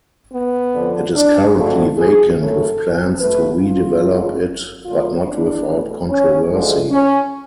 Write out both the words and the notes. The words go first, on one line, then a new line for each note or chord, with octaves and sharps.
It is currently vacant with plans to redevelop it but not without controversy.
B3
F2 D3 F3
D4
F2 D3 F3 A3 F#4
G#4
F#2 C#3 F#3 A3 A4
B2 A3 B4
F4
F#2 D3 G#3
F#2 D3 F#3 A3 F4
D4
B2 A3
C#4
D2 D3 F3 G#3
C#4